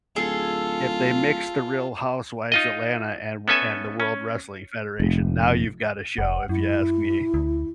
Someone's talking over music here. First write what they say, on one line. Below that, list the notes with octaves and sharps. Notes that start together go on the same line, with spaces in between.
if they mixed the Real Housewives Atlanta and w and the World Wrestling Federation, now you've got a show if you ask me.
D1 F4 G#4 A4
D#4 F4 D#5
B3 C#4 A4 E5 G#5
C#4
F1
F1 F#5
F#2 E4
D2